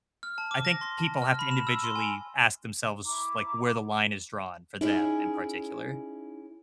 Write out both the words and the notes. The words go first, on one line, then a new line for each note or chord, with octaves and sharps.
I think people have to individually ask themselves, like, where the line is drawn for them in particular.
F6
A5
D6
A#6
C6
A5
F6
B5
E7
E6
C6
G#5
E4 A#5 D6
C#4 D#4 E4 G#4